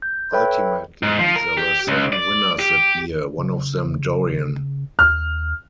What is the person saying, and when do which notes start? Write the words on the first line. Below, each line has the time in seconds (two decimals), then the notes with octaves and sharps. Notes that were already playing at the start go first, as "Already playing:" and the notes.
Ultimately, there were seven winners that year, one of them Dorian.
0.02 G6
0.33 A4 B4 C#5 E5 G5 B5
1.03 G#2
1.19 F3
1.36 A#4
1.57 G4
1.88 C#2
2.13 D5
2.59 G4
3.38 C#3
4.99 D#2 F6